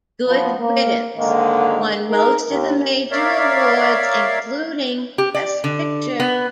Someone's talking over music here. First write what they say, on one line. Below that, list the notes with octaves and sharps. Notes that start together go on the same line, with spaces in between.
"Good Riddance" won most of the major awards, including Best Picture.
F#2 F3 B3
A#3
G#2 D3 D#3 G#3 A#3
D#4 G#4 A#4
D#2
A#4 C#5 D5 E5 F5
G4
D5
D3
B3